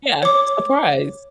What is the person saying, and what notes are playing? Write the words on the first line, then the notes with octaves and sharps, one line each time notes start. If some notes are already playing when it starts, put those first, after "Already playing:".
Yeah, surprise.
C#5 D6